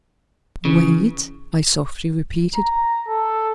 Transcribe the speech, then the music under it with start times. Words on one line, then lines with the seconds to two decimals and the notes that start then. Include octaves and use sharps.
"Wait?" I softly repeated.
0.65 C#3 E3
2.55 A#5
3.08 A4